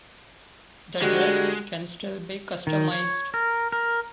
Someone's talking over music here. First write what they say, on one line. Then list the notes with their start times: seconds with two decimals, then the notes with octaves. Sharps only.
The dress can still be customised.
1.02 D3 G3 G#3 F#4
2.67 D#3
2.92 C#5
3.34 A#4
3.72 A#4